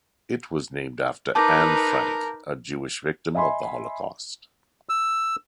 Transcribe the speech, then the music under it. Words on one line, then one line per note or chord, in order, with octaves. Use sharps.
It was named after Anne Frank, a Jewish victim of the Holocaust.
D#4 A#4 B4 A5 D6 G6
D#5 E5 G#5 B5 C6
E6